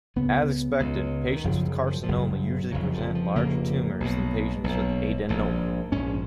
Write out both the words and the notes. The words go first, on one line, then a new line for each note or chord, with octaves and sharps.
As expected, patients with carcinoma usually present larger tumors than patients with adenoma.
C#2 C#3 B3
C#2 C#3
D#3
F#1 F#2 C#3 F3
D#3
F3
F3
F#1 F#2 C#3 F#3
F1 F2 C#3 F#3
F3
F3
F1 F2 C#3 A#3
B1 B2
B1 B2
A#1 G#2
A#1 G#2 C#4